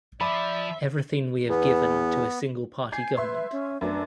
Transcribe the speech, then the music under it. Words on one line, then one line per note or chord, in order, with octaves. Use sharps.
Everything we have given to a single party government.
F3 D5 E5 B5
E2 B3
G#5 G6 G#6 C7
B4 E5 C6
C#4
F#2 A3 B3 D4